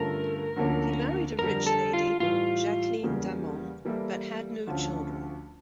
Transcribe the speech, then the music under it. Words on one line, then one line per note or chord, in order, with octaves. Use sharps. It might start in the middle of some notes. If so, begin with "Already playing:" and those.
He married a rich lady, Jacqueline Damant, but had no children.
Already playing: G2 D3 A3 C#4 F4 A#4
D2 D3 F3 A#3 C#4
F2 D3 G3 A#4
A4
F4
A2 E3 G3 F4
E2 C#3 G3 A#3
E3 G3 A#3 E4 A4
D2 D3 F3 C#4 F4